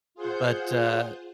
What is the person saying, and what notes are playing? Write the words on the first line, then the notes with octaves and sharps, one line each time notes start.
but, uh
F4 G#4 C5 F#5 G6